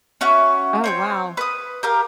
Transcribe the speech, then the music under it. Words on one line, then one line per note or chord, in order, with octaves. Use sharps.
Oh, wow.
C#4 F#4 E5 F6
C4 C#5 G6
B4 D#6
G4 A#4 F5